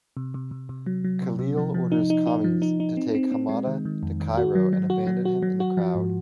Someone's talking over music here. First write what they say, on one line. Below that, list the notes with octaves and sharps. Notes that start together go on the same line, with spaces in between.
Khalil orders Khamis to take Hamada to Cairo and abandon him in the crowd.
C3
C3
C3
C3
F#3
F#3
C3
C3
F3
F3
D#4
D#4
D#4
F3
D#4
D#4
C4
C4
C4
G#3
D#3
D#3
F2
D#3
F#4
F#3
F#3
F#4
F#3
F#4
F#3
F#4
F3
G#2